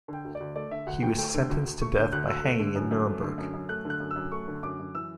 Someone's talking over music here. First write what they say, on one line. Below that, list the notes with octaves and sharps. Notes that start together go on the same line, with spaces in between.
He was sentenced to death by hanging in Nuremberg.
D3
G5
D2
D5
D2
A3 D5
D3 E5
D2 F#5
D2 G5
A3 G5
D3
D2
D2
A3 C#6
D3 G6
D2 F#6
D2 E6
A3
D3
F#2
F#2
A3
D3
F#2
F#2
A3 F#6
D3
F#6
F#2
E6
F#2
A3 C#6
D3
F#2 D6
F#2
E3 E6